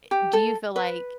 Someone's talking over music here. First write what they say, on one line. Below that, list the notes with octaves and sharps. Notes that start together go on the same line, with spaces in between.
eh do you feel like
G4
A4
B4